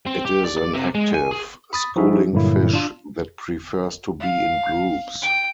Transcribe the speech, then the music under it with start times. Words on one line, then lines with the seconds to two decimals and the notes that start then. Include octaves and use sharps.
It is an active, schooling fish that prefers to be in groups.
0.06 C4
0.25 G4
0.44 D5
0.57 D5
0.74 C3
0.95 G#3
1.14 G#5
1.31 G#4
1.73 B5 D#6 A6
1.96 F3 D#4 E4 F#4 G#4 E5
2.33 G2 A#2 D3 F#3 A#3 E4
2.73 D4 F4
4.20 F5
5.22 G5